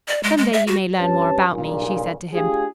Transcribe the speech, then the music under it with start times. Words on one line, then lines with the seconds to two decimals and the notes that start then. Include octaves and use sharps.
'Some day you may learn more about me,' she said to him.
0.08 D5
0.23 G#3
0.37 G#3
0.53 E5
0.67 F#4
0.98 G2 C#4 G4 B4 C#5 A5
1.51 B1 G2 A#2 C#3
2.33 A3 D4 F4 G4 G#4